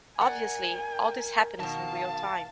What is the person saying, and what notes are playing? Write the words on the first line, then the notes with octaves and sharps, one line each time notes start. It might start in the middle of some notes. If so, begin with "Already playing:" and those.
Obviously, all this happens in real-time.
A#4 D5 F#5 G#5
B2 D#3 F5 A5